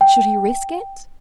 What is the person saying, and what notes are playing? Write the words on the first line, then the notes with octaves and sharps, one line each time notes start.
Should he risk it?
G5